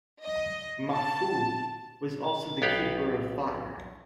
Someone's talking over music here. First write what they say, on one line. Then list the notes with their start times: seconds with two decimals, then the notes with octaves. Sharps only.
Mafui'e was also the keeper of fire.
0.24 D#5
0.93 A5
2.62 B1 B3 G4 F5